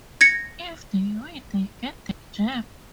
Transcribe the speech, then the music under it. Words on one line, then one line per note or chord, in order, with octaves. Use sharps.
If they win, they get the gem.
G#6 A#6 C#7